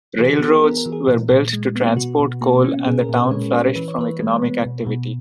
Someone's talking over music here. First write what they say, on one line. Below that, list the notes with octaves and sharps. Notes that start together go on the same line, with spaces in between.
Railroads were built to transport the coal and the town flourished from economic activity.
E3 G#4
F#4
B3
G#4
B3 A#4
A#4
E3
G#4
A#2
A#2
G#3
B3
B2 F#4
B2
A#3 F#4
C#4
A#2 G#4
A#4
A#2
B4
G#3 C#5
C#4
E3 B4
C#5
E3 B4
G#3
B3
B2
B2